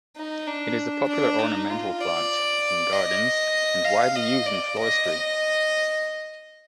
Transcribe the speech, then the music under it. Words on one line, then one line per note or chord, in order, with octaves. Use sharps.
It is a popular ornamental plant in gardens, and widely used in floristry.
D#4
D4
D4
D#4
F4
D5
D#5
F5
D#5
D5
D#5
D#5